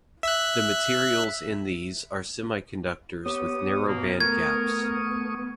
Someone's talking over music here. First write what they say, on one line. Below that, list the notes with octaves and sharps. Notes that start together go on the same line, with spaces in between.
The materials in these are semiconductors with narrow band gaps.
E5 E6 F#6
B3 G4 C#5 D#6
G2 B2 A#3
A3 A#4 C#6 D#6 G#6